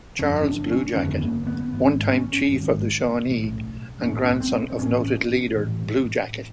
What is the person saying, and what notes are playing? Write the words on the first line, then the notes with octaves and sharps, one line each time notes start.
Charles Bluejacket, one-time chief of the Shawnee and grandson of noted leader Blue Jacket.
G1 F2 D3 C#4
D4
C#4
G1 F2 D3 B3
A#3
B3
G#1 G#2
C#4
G#1 G#2
B1 A2
B1 A2 C#4
C4
A1 A2 C#4
A1 A2